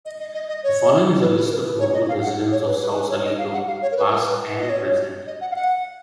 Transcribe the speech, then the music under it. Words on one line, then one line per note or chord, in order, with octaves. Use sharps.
The following is a list of notable residents of Sausalito, past and present.
D#5
D#5
D#5
D#5
C#5
B4
B4
A#4
B4
C#5
D#5
F5
F#5
C#5
B4
B4
B4
C#5
D#5
F5
F#5
F5
C#5
A#4
B4
A#4
B4
D#5
C#5
D#5
F#5
F5
F#5